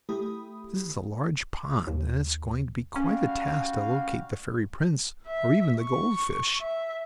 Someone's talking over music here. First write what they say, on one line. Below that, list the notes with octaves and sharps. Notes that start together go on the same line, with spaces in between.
"This is a large pond, and it's going to be quite a task to locate the fairy prince, or even the gold fish."
A3 E4 G4 B5 D#6
D#2
G3 C#4 F#4 F5
E5
C#6
E5